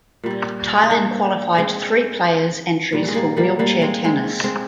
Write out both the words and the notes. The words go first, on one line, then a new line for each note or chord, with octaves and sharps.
Thailand qualified three players entries for wheelchair tennis.
A#2 G3
D#4
A#3 D4
G#3 C4
A#2 G3
G#3
G3 A#3
G3 A#3
G3 A#3
G#3 C4
G#3 C4
G#3 C4